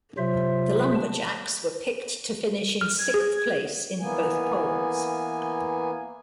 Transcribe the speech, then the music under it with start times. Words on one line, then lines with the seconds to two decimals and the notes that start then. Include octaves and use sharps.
The Lumberjacks were picked to finish in sixth place in both polls.
0.18 C3 F#3 F4 C5 E5
0.95 A5
2.81 F6
2.99 G#6
3.14 G#4
4.01 E3 A#3 B3 G#5